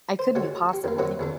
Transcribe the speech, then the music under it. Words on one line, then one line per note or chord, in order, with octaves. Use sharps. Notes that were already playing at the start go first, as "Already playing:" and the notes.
I couldn't possibly.
C5
C#2 G#3 F#4 C#5
G4 C#6
F2 A#3
C3 F#3 F#4 C#5
E2 C#3 D4